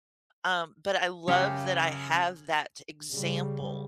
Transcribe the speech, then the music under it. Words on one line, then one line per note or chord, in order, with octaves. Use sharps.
Um, but I love that I have that example
F#2 C#3 G4 C#5 F5
C#3 G3